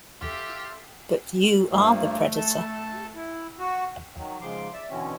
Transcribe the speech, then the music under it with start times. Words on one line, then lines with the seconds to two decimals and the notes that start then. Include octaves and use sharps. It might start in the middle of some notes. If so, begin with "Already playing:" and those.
But you are the predator.
0.21 G4 A4 E5 F5 C6 F6 A6
1.70 G2 F3 A3 A#3
2.37 A4 A5
3.15 E4
3.59 F#4
4.18 D#3 F#3
4.41 G#2 C#3 F3 C6 D6
4.74 D5 E5 E6
4.90 B2 D3 E3 C4 C#4